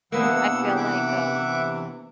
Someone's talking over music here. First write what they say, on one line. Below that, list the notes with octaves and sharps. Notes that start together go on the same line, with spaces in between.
I feel like, um
C3 E3 A#3 B3 D4 F#5 E6
G4 G#4 F#5
E5 F#5 D6